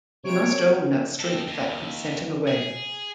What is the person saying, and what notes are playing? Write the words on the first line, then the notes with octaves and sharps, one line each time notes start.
He must own that strength that could send him away.
C3 C#5 D7
C4 A4
D#2
G#4